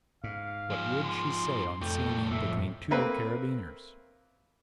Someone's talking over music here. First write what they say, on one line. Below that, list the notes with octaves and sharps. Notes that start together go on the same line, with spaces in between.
What would she say on seeing him between two Carabineers?
G#2 F5
F3 G#4
C6
C2 F2 A3 G5
A2 E5
A3 A#3 C4 B4